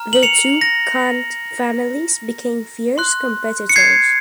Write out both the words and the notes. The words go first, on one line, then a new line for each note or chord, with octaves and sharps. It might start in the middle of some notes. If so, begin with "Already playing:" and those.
The two Cant families became fierce competitors.
Already playing: A#5 F6
F#7
C#7 F7
A#6
C6 F#6
C#7
G#6 C7